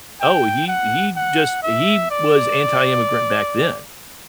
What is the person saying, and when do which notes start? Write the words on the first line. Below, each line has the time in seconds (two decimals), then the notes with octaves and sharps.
oh, he he just, he was anti immigrant back then.
0.21 G5
0.68 F#5
1.16 F#5
1.63 E5
2.10 D5